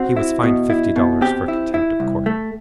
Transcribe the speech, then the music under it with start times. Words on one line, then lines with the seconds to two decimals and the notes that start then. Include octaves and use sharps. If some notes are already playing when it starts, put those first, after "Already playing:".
He was fined fifty dollars for contempt of court.
Already playing: C4 F#4
0.17 E4
0.43 B2
0.70 E4
0.96 B2
1.21 C4 G4
1.48 E4
1.74 E4
2.00 C2
2.26 A3